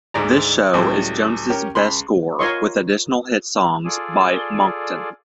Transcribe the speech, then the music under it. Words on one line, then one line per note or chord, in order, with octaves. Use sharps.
This show is Jones' best score, with additional hit songs by Monckton.
D2 G#2 D5 A#5
C#2 A2 F#3 G3
C#4 G4 A#4
C#2 B5 C6
F4 A#4 C#5 D#5 C6 C#6
F4 G#4 A4 D5